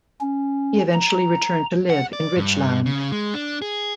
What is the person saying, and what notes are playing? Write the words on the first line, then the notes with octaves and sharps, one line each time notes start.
He eventually returned to live in Ridgeland.
C#4
A#5
F#5
D5
G2
C#3
G#3
D4
G#4